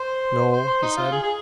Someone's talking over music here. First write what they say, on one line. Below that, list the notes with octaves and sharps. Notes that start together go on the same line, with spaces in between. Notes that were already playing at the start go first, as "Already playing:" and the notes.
"No," he said.
Already playing: C5
C5
C5
D#4
F4
G#4
G#4